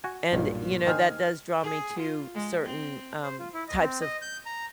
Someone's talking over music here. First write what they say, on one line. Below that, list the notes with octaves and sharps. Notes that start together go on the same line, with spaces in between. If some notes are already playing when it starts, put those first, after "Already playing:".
And, you know, that does draw me to certain, um, types of
F#4 G#5
B1 G2 A#2
D#3 C5 D#5 G#5 F6
G#4
F4
G#3
C4
C5
F4
E4
D#5
C4
D#5
G6
A#5